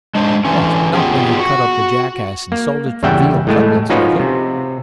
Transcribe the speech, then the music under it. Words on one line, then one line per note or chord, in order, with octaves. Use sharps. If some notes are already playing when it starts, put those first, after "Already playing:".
"What, not when you cut up the jackass and sold it for veal cutlets, mother."
G#3 D4 C5
D3 E3 C#4
B3 F4 G4 G#4
F#4
A#3
E2 C#3 G3 E5 F#5 G5
A2 G#3 A3
F3 C#4 D#4 F4 F#4 B4
C3